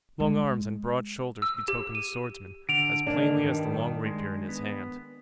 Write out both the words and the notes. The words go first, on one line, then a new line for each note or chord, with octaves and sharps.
Long arms and broad shoulders betokened the swordsman, as plainly as the long rapier in his hand.
G#3
E6
G4
D#7
D3 D7 F7
G#2 D#3 A#3 D4
G2 G3
G#3
B3